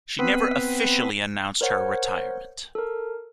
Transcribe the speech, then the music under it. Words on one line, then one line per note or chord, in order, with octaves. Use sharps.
She never officially announced her retirement.
B3 C4 B4
A#4 C5 C#5 F#5
A4 A#4